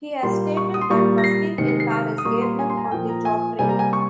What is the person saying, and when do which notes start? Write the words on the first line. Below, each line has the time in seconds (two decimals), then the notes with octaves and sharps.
He has stated that busking in Paris gave him on the job training.
0.23 A#2 G3 A#3 C6
0.57 C#6
0.74 D#6
0.81 C6
0.90 A#2 G3 A#3 C#6
1.18 A#6
1.24 C7
1.58 C3 D#3 G#3 C#7
1.68 C#7
1.80 C7
1.91 F6
2.18 D#6
2.25 A#2 G3 A#3 C#6
2.41 C6
2.59 G#5
2.70 C6
2.77 A#5
2.85 G#5
2.91 A#2 F3 A#3 G5
3.09 A#5
3.25 G#5
3.59 C3 G3 A#3 G#5
3.69 A#5
3.79 G#5
3.93 C#6